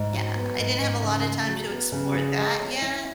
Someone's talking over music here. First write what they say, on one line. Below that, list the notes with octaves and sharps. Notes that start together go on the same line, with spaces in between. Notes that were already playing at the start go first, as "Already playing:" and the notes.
Yeah, I didn't have a lotta time to explore that yet.
Already playing: G#2
F#3
B3
G#2
G#2
C#3
G#4
F#3
B3
C#3
G#4
G#3
C#5
E4